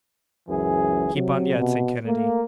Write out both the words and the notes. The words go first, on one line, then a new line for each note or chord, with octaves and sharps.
"Keep on yet," said Kennedy.
C#2 F#2 E3 G#4
C3 F#3
B2
A3 A#3